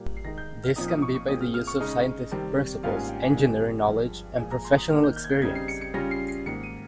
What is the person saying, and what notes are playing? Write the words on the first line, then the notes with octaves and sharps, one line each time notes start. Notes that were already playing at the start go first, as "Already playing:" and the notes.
This can be by the use of scientific principles, engineering knowledge, and professional experience.
Already playing: A#2 G3 A#3
C7
D#3 G#3 D#4 A#6
G6
F6
A#2 F3 C4 D#4 D#6
D#6
C#6
C#6
A#2 G#3 C4 D#6
F6
F6
C#6
C#3 G#3 D#4
C3 D#3 G3 C4
G#2 G3 A#3 C#4 F4 F5
G#5
G5
G#5
D#3 G3 C4
G2 F3 G#3
A#2 F3 G#3 G#5
A#5
C6
D#6
D#3 A#3 D#4 F6
G6
G6
G#6
G6
C#3 G3 C4 D#4 G#6
C7
C#7
C#7
C#3 G3 C#4 F4 A#6
C7
C7
G#2 D#3 A#3 C#7
D#7